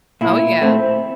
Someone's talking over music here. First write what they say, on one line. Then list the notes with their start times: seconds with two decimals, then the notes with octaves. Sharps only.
Oh, yeah.
0.21 A#2 E4
0.61 A3 C4